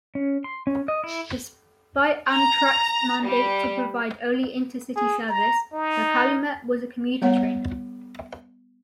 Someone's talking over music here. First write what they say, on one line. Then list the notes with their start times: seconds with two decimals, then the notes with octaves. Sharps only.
Despite Amtrak's mandate to provide only intercity service, the "Calumet" was a commuter train.
0.15 C#4
0.44 C6
0.67 C#4
0.88 D#5
1.04 E4
2.30 A#5
3.24 G3
4.96 G#4
5.29 A#5
5.73 D#4
7.22 G3 B3 C#5 F#5